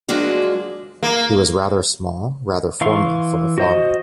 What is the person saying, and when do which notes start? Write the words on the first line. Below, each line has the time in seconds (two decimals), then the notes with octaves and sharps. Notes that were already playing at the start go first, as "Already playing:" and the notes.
He was rather small, rather formal, for a farmer.
0.08 F3 F#3 G#3 A#3 D4 F#4
1.03 A#3
2.81 E3 F5 C6 C#6
3.58 F#4 C5 D#5